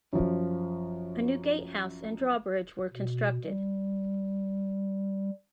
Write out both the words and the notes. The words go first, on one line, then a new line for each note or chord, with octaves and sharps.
A new gatehouse and drawbridge were constructed.
F#2 F3
B2
G3